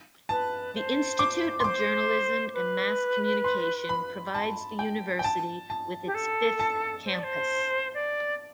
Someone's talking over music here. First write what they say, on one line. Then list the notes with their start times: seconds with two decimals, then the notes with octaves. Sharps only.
The Institute of Journalism and Mass Communication provides the university with its fifth campus.
0.29 B4 A5
0.74 C5
1.19 D6
1.60 C6
1.64 C5 D6
2.54 B4
3.44 C6
3.89 B5
4.34 A5
4.79 G5
5.19 G5
5.24 A5
5.70 A5
6.06 G4
6.14 A4
6.60 A5
7.05 C5
7.13 D5
7.23 C5
7.94 D5